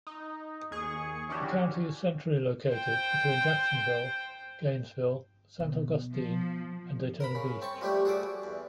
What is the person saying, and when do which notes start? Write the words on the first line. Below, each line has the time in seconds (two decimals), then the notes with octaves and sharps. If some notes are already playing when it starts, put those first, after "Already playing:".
The county is centrally located between Jacksonville, Gainesville, Saint Augustine, and Daytona Beach.
0.07 D#4
0.71 D#2 G#4 C#6
1.29 E3 C#4 D4 F#4 G4
2.69 C5 G5
5.60 B2
6.13 F3
7.20 A#4 A#5 B5
7.35 C#3
7.62 C4 A5 C#6
7.81 F3 G3 A3 C#4 G4
8.05 F#4 G#4 A4 D5
8.44 E2